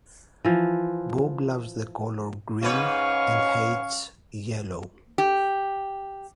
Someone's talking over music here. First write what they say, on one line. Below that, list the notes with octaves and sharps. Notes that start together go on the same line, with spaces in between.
Bob loves the color green and hates yellow.
E3 F3
G#2 C#4 B4 C#5 F5 C#6
G4